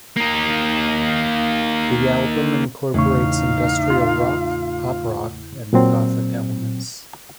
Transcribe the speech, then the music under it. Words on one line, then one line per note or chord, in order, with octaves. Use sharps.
The album incorporates industrial rock, pop rock and gothic elements.
A#3 D#4
E2 A2 C#3 D#4 F5 C#6
F4
A#2 F#3 C4